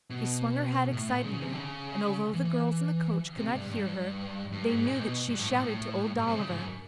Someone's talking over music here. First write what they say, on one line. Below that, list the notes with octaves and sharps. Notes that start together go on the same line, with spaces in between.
She swung her hat excitedly and although the girls in the coach could not hear her, they knew that she shouted to Old Dolliver.
B2
A2
A#2
C#3
C3
D3
C#3
E3
E3
C3
G2
G2
G2
G#2
A#2
B2
G2
A2
A#2
A2
G2
C3
C#3
G#2
F#2